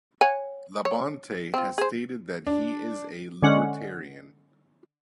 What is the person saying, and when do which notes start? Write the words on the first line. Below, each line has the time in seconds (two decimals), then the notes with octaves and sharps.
Labonte has stated that he is a libertarian.
0.21 C#5 F#5 G#5
0.85 C#5
1.54 C4 F4
1.78 G#4 C5
2.47 D4
3.43 D3 G#3 C#4 F#5